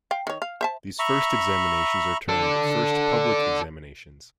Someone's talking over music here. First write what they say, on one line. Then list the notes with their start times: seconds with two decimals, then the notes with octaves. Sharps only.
These first examinations are termed "First Public Examinations".
0.11 F5 G5
0.27 D#3 C#5
0.42 F5
0.61 C5 E5 A5
0.99 E5 A#5 B5 C#6
2.28 A4 D5